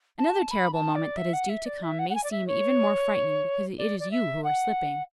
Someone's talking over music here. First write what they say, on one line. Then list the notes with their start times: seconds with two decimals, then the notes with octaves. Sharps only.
Another terrible moment that is due to come may seem even more frightening because it is you who are slipping.
0.18 A5
0.51 B5
0.73 A5
0.95 D5
1.17 E5
1.33 F#5
1.49 E5
1.66 D5
1.83 E5
1.99 F#5
2.10 F#5
2.15 G#5
2.24 D5
2.31 E5
2.47 C#5
3.78 D5
4.00 D5
4.11 E5
4.44 F#5